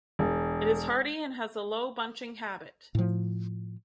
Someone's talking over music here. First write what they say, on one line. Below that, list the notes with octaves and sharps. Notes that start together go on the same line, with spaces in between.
It is hardy and has a low bunching habit.
E1
A2 F3